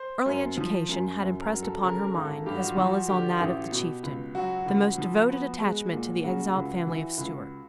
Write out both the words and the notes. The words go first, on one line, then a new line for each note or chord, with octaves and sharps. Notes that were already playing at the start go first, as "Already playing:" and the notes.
Early education had impressed upon her mind, as well as on that of the Chieftain, the most devoted attachment to the exiled family of Stuart.
Already playing: C5
F#2
F3
F#2
F#2
A#4
F#3
A4
C#3 A#4
A#4
G#1
A4
G2 G4
F#4
F4
F3 F#4
D3 G4
A1
B2
C#2
F#3 F#4
C#2
F3
B3
G#3
A#2
C#3 F#4
C#2
E3
C#2